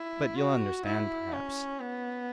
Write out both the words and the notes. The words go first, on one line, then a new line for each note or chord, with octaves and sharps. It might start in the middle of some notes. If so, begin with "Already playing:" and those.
But ye'll understand, perhaps.
Already playing: E4
F#4
E4
C#4
B3